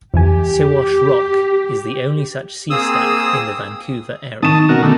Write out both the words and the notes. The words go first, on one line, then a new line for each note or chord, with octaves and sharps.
Siwash Rock is the only such sea stack in the Vancouver area.
F2 E3 G4 G#5
A#3 C4 G#4 D#6 E6
D#3 A5 C#6 D#6 E7
B2 C#4 F#4 A#4
D3 D#3 A3